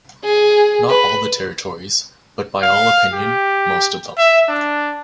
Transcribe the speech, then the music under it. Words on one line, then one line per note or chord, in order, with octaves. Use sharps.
Not all the territories; but by all opinion, most of them.
G#4
B4
F5
G4
E5
D4